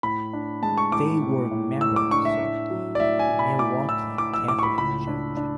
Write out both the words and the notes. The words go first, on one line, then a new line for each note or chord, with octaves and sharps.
They were members of the Milwaukee Catholic Church.
A2 B5
D4
G#3 A5
C#6
A2 D6
A2
A2
A2 E6
D6
D4 C#6
E5
A2
F#3
D5
A2 E5
G#5
A2
B5
A2 D6
A2 E6
A2 D6
E6
A2 D6
C#6
B5
C#2 B5
D4
D4